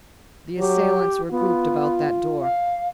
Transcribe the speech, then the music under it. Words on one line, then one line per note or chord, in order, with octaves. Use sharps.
The assailants were grouped about that door.
F#3 G4
B3 F4
F5